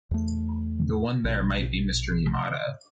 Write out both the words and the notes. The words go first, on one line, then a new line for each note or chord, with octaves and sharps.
The one there might be Mr. Yamada.
E2 A3
A#1 B2